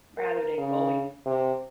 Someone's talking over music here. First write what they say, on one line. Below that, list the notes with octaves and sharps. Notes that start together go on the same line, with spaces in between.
rather than going
A#4
C#3
C3